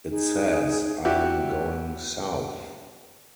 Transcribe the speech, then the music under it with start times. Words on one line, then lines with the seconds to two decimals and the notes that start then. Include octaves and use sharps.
It says: I am going south.
0.09 D#4 G#4
1.05 D4 E4 F#4 G4